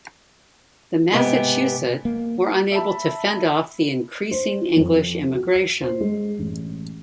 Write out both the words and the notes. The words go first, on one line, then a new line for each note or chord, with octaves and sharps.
The Massachusett were unable to fend off the increasing English immigration.
G#2 C3 B3 G4 G#5
A#3
E5 A5 B5
C5
F2
F#4
C7
C5
G#3
A1